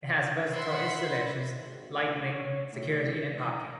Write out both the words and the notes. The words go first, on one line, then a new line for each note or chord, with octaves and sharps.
It has versatile installations, lightning, security and parking.
C5 E5 F#5 B5 C6
G#1
A1
C#5
A2
E3
A#5